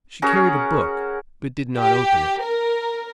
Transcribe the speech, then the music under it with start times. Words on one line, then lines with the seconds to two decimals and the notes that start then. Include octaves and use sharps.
She carried a book, but did not open it.
0.22 C#4 F#4 G#4 A#4
1.77 G4
2.42 A#4